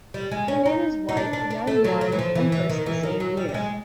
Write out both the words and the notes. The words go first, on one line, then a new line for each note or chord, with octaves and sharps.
He made his wife Yang Yan empress the same year.
G3
G#3
C#4
D#4
D#4
D4
D4
D4
A3
F#3
F#3
E3
F3
E3
E3
D#3
E3
D#3
F#3
G3
G3
G#3